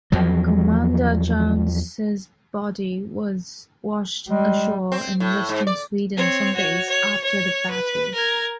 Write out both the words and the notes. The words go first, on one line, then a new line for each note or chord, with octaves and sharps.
Commander Jones' body was washed ashore in Western Sweden some days after the battle.
E2 F3 F#3
G3 G#3
C4
A2
G#2
D5
C4 C#5
F#4 C#5
C#5
C#5
B4
A#4 G#6